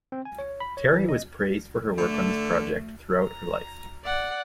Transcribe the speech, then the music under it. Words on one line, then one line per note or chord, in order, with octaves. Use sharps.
Terry was praised for her work on this project throughout her life.
C4
G#5
C#5
B5
C#5
E3
D#5
D3 A3
A#5
D5 F#5